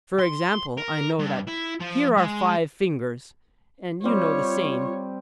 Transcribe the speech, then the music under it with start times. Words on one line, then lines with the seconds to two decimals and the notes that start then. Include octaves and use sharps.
For example, I know that here are five fingers, and you know the same.
0.19 C6
0.78 A#4
1.19 G2
1.48 E4
1.80 F3
2.18 G#3
4.04 G3 C4 F4 C#5